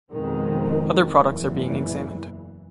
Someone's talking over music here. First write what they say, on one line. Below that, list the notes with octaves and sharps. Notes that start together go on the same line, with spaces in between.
Other products are being examined.
F2 B2 D#3 G#3 C4
F#1 E2 A#2 E3